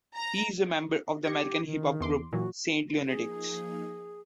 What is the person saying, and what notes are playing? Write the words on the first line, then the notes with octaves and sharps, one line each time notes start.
He is a member of the American hip hop group Saint Lunatics.
A#5
G4 G#6 A#6 C#7
D#3
E2 C6 D6
A#2 E3 F#3 F#4
F3 A#3 D#4 G#4